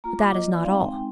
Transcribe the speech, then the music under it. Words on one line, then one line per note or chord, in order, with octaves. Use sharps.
But that is not all.
A#3 F4 A#5
D6
D#5
D5
G#3 C4 D#4 F5
G5